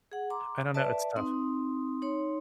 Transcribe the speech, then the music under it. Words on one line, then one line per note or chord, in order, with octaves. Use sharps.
I don't know. It's tough.
G#4 F#5
A#5 C6 D6
B4 D5 E5 A5
C4 D#4 C6 D#6
D#4 C#5 C6